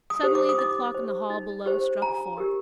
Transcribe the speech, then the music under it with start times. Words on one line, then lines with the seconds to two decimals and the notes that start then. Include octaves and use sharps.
Suddenly the clock in the hall below struck four.
0.10 D#6
0.23 G4 C5
0.35 D6
0.49 D#6
0.58 D#4 D6
0.95 G4 C5
1.30 D#4
1.66 G4 C5
2.02 D4 A#5
2.38 G4 A#4